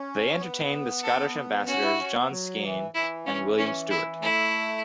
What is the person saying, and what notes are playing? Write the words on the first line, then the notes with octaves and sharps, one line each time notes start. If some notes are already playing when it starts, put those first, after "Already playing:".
They entertained the Scottish ambassadors John Skene and William Stewart.
Already playing: C#4
B3
A4
C#4 F#4
E4
C#4
B3
F#3
E3
E3 E4
C#4
C#4
E4
A3 E4